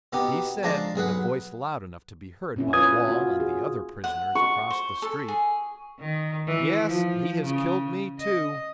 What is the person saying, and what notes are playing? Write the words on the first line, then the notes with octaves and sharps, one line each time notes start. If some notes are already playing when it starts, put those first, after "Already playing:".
He said, in a voice loud enough to be heard by Wall and the other prisoners across the street: "Yes, he has killed me, too!"
B2 B3 D#4 G4
F3 G#3 D4 A5 A#5 C6
B1 G#4 B4 F#5
A#2 C#4 E4
F4 B4 C#5 D#6 G#6
F4 F#4
G#4
F#5
C#6
C5
A4
G#4
D#3
E3
F3
C#3
D#5